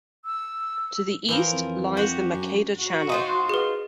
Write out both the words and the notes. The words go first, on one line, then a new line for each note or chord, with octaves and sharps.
To the east lies the Maqueda Channel.
E6
E3 F3 A#4
F2
F#4 G4
F#2
F#4
D#4 F4 C5
G#4 B4